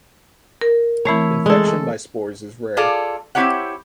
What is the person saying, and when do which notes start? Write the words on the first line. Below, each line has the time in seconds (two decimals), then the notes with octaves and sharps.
Infection by spores is rare.
0.62 A#4
1.05 E3 A3 C4 E4 C#5
1.46 G#3 A4
1.67 A4
2.77 F4 G#4 A4 D5 F5
3.35 C4 E4 G4 C#5 F#5